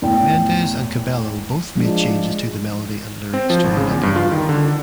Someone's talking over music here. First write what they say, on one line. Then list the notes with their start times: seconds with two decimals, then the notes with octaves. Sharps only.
Mendes and Cabello both made changes to the melody and lyrics to their liking.
0.02 E2 A2 G5
1.75 F3 G#3 D4
3.34 C4
3.50 F3
3.64 G#1
3.77 C#3
3.89 E2
4.03 G2
4.16 F4
4.32 D#3
4.49 D3
4.65 D4